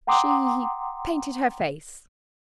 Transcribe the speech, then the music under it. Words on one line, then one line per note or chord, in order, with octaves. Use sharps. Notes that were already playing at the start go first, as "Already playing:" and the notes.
"She painted her face."
F#5 G5 A#5 C6 D6 D#6